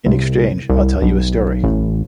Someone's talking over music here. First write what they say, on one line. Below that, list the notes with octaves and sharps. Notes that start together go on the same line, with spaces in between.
In exchange, I'll tell you a story.
C2
C2
B1
A1